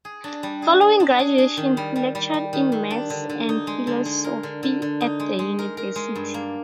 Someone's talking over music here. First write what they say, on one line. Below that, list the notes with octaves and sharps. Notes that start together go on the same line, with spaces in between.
Following graduation he lectured in Maths and Philosophy at the university.
G#4
D4
G3
G#4
G#4
D4
G#4
G#4
D#3
G3
G3
G3
G3
D#3
D#3
D4
D3
D3
D#4
G#3
D3
G#3
A#4
D3
D3
D3
D#4
G#3
G#3
A#4
A#4
G#3
G2
A#3